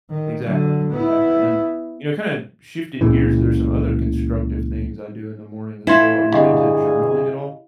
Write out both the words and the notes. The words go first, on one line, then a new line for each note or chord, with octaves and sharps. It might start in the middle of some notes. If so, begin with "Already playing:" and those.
Exactly, exactly, and, you know, kinda shifting gears, there are some other constructive things I do in the morning as well. Are you into journaling at all?
D#3
D3 F#3
B3 E4
C#2 A#2 C#3 E3
E3 E4 F4 C6 G#6 E7
G1 G4 G#4 D#5 F5